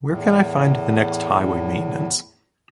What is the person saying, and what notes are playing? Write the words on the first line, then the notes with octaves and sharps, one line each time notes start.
Where can I find the next highway maintenance?
E2 A2